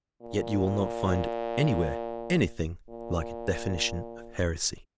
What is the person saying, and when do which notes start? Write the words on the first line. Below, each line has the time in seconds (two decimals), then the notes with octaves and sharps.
Yet you will not find anywhere anything like a definition of heresy.
0.22 A#2
2.89 A#2